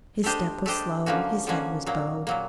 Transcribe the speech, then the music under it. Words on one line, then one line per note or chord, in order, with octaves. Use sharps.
His step was slow, his head was bowed.
A3 D4 G4 C5 D#5
A3 D4 G4 C5 D#5
D3 F3 A#3 C#4 F#4
D3 F3 A#3 C#4 F#4
A#2 F#3 A#3
A#2 F#3 A#3